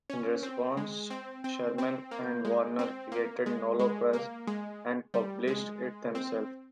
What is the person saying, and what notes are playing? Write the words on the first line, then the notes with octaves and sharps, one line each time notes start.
In response Sherman and Warner created Nolo Press and published it themselves.
C#4
C4
G#3
C4
C4
C4
A#3
G#3
C4
A#3
G#3
G#3
A#3
G#3
G3
G#3
C4